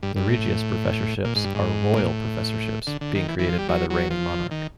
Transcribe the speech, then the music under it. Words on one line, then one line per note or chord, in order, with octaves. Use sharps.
The Regius Professorships are "royal" professorships, being created by the reigning monarch.
G2
G2
A2
A#2
G#2
G2
G#2
A#2
A2
D3
D3
D#3
E3
E3
F3
G3
F#3
F#3
F3
D#3